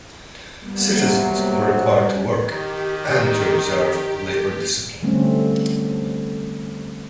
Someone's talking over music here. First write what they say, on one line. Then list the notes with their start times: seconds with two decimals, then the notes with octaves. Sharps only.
Citizens were required to work and to observe labor discipline.
0.58 G3 A#3 B3
0.93 C3 F#3
1.85 G3
2.47 D#3 G4
5.03 D3 G3 A3 C4 C#4